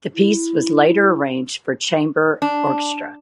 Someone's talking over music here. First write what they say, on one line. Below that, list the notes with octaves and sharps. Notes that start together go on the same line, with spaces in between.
The piece was later arranged for chamber orchestra.
E4
D4